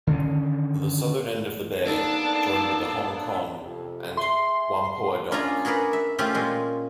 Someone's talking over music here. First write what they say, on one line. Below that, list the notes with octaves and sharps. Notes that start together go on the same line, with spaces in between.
The southern end of the bay joined with the Hong Kong and Whampoa Dock.
D3 D#3 C#4
A#3 B3 D4 D#4 A4 A5
F2 C3
G#4 E5 C6
C#4 D4 F4 G#4 G#5 A#5
F#4 G#4 A#4 B4 D5
E5
A3 C4 C#4 F4 G4 A4
A#2 G#3